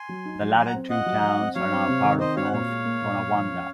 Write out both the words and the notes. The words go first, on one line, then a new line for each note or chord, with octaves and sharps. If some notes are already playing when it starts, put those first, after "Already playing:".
The latter two towns are now part of North Tonawanda.
Already playing: G#5 C6
F#3
D#4
F#3
F#3 G#5 C6
F#5 A#5
C4
F4 D#5 F#5
F#3
F#3
C4
F#3 C#5 F5
C4
C3
D#3
C4 C5 D#5
F#4 C#5 F5
F#5
A#2 C#5 F5
G#3
A#3
A#2
A#2
F3
C#4